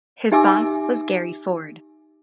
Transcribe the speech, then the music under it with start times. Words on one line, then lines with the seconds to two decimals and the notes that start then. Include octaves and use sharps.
His boss was Gary Ford.
0.32 D#4 G4 E5 G#5 D6 E6